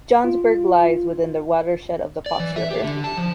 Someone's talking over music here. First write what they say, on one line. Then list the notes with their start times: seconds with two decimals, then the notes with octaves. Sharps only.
Johnsburg lies within the watershed of the Fox river.
0.24 F4
2.26 D5
2.40 E3
2.56 E5
2.71 G4
2.84 D3
3.04 A5
3.18 F3